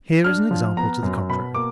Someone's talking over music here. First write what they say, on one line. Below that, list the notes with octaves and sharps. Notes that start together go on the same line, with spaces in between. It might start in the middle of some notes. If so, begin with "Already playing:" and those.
Here is an example to the contrary.
D4 F6
F3
B3 A#5
F#2
B2 B5
A#3 D6